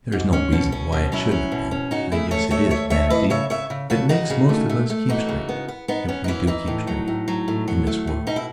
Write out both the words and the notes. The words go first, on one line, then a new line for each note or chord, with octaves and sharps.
There is no reason why it shouldn't have been; I guess it is vanity that makes most of us keep straight, if we do keep straight, in this world.
G#2
C#4
B2
C#4
B2
F#3 C#4 E4
C#4
B2
C#4
C#3 D#4 F#4
A3 E4 G#4
A3 A4 C#5
A3 C#5 E5
A3 C#5 E5
A3 C#5 E5
E3 B4 D#5
C#3 C#5 E5
C#3 C#5 E5
C#3
C#3 F#4 A4
C#3 D#4 F#4
C#3
A3
A3
A3
E3 D#4 F#4
C#3
B3
B3
B3 D#4
B3 C#4
D#4
E3 C#4 E4
E3 D#4
A2
F#3
A2
F#3
A2
F#3
A3
A2
B2 D#4
E4